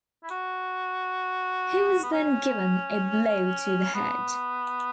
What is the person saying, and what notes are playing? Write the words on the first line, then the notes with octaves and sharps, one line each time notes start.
He was then given a blow to the head.
E4
F#4
B3
C#4
B3